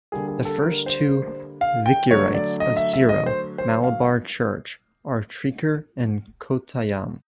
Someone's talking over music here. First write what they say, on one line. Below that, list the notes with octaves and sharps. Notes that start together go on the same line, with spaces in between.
The first two Vicariates of Syro Malabar Church are Trichur and Kottayam.
D3 G3 A#3 G#4
G#4
A4
A#4
C5
F5
G5
D3 F#3 A3 C#5
D5
D#5
E5
E5
D#5
C5
C5
F5